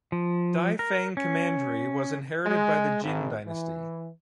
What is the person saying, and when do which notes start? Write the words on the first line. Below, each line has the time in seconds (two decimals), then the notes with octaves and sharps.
Daifang Commandery was inherited by the Jin dynasty.
0.12 F3
0.79 A#4
1.17 C#4
2.46 G#3
3.03 G#1
3.46 E3